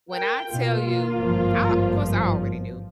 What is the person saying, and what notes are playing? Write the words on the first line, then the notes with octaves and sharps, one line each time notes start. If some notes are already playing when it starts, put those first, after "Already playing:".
When I tell you, I 'course I already knew.
A#4 G5
B2 A#3 F4
G#1 G2 F3